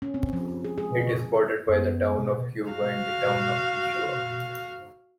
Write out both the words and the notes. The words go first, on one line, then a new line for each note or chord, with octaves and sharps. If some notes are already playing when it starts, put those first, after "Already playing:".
It is bordered by the Town of Cuba and the Town of Ischua.
C#4
C4
F3
G#4
G#4
D3
G#4
F#2 B3
F#4 F5